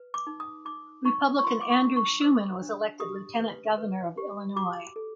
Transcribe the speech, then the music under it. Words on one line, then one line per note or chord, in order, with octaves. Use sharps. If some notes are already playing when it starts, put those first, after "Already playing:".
Republican Andrew Shuman was elected Lieutenant Governor of Illinois.
Already playing: B4
D6
D#4
D#6
D#4 D6
D#4 C#6
C#6
F4 C6
D6
C#6
D4
C#6
C5 E6
D4
G4 D#6
B4
B4
G4
F#4 D6
A4